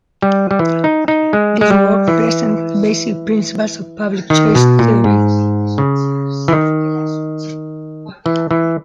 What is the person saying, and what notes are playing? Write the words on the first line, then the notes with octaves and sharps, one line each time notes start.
This work presents the basic principles of public choice theory.
G3
G3
E3
D#4
D#4
G#3
G#3
G3
E3
D#3
B2
A#2
G#2
C#3
E3
D#3
E3
E3